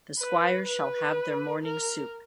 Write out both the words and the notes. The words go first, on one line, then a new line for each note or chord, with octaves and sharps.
The squires shall have their morning soup.
B4
B4
A#4